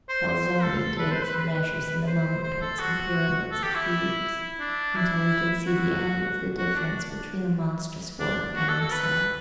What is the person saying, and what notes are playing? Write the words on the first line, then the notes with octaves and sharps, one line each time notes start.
Belzoni digs and measures in the mummy-pits and pyramids of Thebes, until he can see the end of the difference between the monstrous work and himself.
C5
C5
A4
B4
C5
B4
B4
C5
C5
A4
F#4
A4
G4
E4
D4
E4
F#4
F#4
D4
D4
F#4
A4
A4
B4